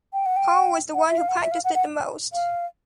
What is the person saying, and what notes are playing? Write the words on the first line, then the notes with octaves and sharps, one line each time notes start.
Paul was the one who practiced it the most.
G5
F#5
G5
F#5
E5
F5
F#5
E5
F5
F#5
F#5
F5